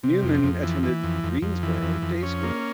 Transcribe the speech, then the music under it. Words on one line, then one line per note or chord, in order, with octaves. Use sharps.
Newman attended Greensboro Day School.
C3
F2
F2
E3
E3
F2
F2
F2
E3
F2
F2
C#4
A#3